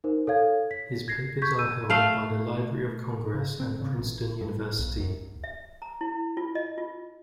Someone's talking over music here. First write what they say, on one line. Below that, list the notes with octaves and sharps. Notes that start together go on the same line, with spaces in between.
His papers are held by the Library of Congress and Princeton University.
D#4 A#4 C5
A4 C#5 F5 G#6
B6
G#6 A#6 C7
C#6 G6 G#6 B6
E6 D#7
A3 F5
C#3
C4
C#3
A1
G2
B1
F#2
E5
A#5
E4
F4
D#5
F4